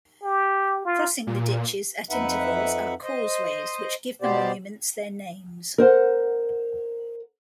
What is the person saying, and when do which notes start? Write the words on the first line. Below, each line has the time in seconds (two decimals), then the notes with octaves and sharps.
Crossing the ditches at intervals are causeways which give the monuments their names.
0.23 G4
0.85 F4
1.27 A#2
2.10 F2 D#4 B4 E5 F#5
3.03 C5 D#5
4.22 B2 B3 G4 C5 D5
5.78 A#4 C5 F#5